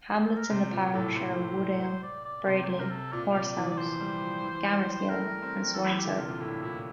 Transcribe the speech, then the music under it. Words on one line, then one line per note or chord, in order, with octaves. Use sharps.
Hamlets in the parish are Woodale, Braidley, Horsehouse, Gammersgill and Swineside.
G4
A4
A#4
C3 C5
A#2
A2 A4
C5
C5
D5
D5
C3 C5
D5
C5
C3 A#4
A4
A#2 D5
C3 D5
E3
D5
F3 C5
G3
F3
E3
G3
A3 A#4
C4
E3 A4
G4
D3
C3 F4
A#2
A2 E4
A#2 E4